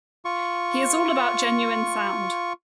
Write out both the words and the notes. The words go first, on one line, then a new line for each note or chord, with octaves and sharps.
He is all about genuine sound.
F4 C#6